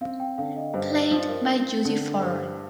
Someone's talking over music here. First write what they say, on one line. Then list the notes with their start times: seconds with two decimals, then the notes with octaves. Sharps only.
Played by Judi Farr.
0.01 C4 F5
0.20 G5
0.38 D3 F5
0.57 D#5
0.74 G2 C5
0.93 D5
1.11 F3 C5
1.29 A#4
1.47 C4
1.85 D3
2.21 G2 C5